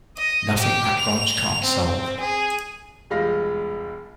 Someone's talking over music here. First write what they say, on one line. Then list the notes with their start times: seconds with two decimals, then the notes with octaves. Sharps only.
Nothing that brunch can't solve.
0.18 D#5
0.58 G4
0.99 F7
1.65 C4
2.20 G#4
3.10 E1 G3 G#3 F4 F6 A#6